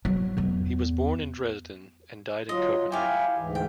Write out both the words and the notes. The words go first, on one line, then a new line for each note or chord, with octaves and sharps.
He was born in Dresden and died in Copenhagen.
F#3
E2 B3
F#3 F4 D#5
E4 G4 E5 F5 G#5
D2 G#2 E3
G5